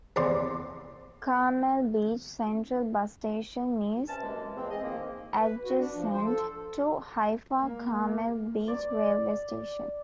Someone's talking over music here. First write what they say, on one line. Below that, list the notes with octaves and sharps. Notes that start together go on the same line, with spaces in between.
Carmel Beach Central Bus Station is adjacent to Haifa Carmel Beach Railway Station.
E2 C3 A#3 D5 C6
G2 C3 C#4 A5
F#2 E3 G#3 A#3
E2 F3 G#3 C4
G#4 D#5
D#3 F3 A#3
B4
F#4
D4
F3
C5
A4
A#3
D5